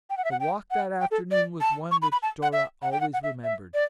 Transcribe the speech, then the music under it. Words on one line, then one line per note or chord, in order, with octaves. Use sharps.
The walk that afternoon was one which Dora always remembered.
G5
F#5
E5
F#5
G5
F#5
G5
A4
D5
A5
C#6
B5
B5
A5
F#5
E5
F#5
G5
F#5
F#5
E5
E5
D5